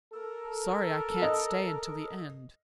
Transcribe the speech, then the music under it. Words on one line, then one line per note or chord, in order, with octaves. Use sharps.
Sorry I can't stay until the end.
A4 A#4
D#5